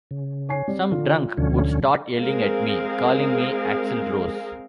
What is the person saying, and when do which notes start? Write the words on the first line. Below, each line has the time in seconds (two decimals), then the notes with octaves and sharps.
Some drunk would start yelling at me, calling me Axl Rose.
0.11 C#3
0.49 C#5 G#5 C7
0.68 G3 C4 D5
0.92 D3 F4
1.38 E1 D2 D3 F3 C#4
2.16 G#3 C4 G#4 A#4 F5